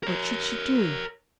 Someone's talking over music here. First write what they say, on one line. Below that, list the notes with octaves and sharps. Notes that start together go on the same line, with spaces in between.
What should she do?
A#4 C#5